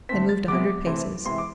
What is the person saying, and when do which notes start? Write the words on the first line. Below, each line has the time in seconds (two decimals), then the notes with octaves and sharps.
They moved a hundred paces.
0.09 D3 A3 C4 B6
0.29 A6
0.48 C3 G#3 B3 D6
0.86 C3 E3 A3 C4
1.25 C3 E3 G#3 C4 C6
1.38 D6